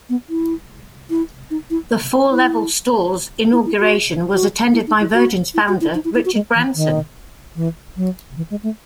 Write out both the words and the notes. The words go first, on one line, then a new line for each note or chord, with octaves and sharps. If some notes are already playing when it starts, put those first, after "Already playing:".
The four level store's inauguration was attended by Virgin's founder Richard Branson.
B3
E4
E4
D#4
E4
E4
E4
E4
F#4
F#4
E4
D#4
E4
F#4
E4
F#4
E4
D#4
E4
E4
F#4
G#3
E3
D#3
E3
F#3
E3
G#3
A3